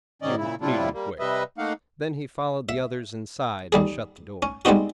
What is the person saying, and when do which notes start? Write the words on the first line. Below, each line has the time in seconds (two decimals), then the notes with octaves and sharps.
You needn't wait.' Then he followed the others inside and shut the door.
0.22 G#2 D#3 C#4 D5 D#5
0.38 A#2 C#3 E4
0.61 A2 C3 G3 D4 E4 F4
0.93 G3 A#3
1.19 C3 G3 B4 D#5 E5
1.58 A3 A#3 D#4 F5 F#5
2.69 E5
3.72 D#2 G3 G#4
4.42 C#4
4.65 G3 G#3 B3 C4 D#4 F#4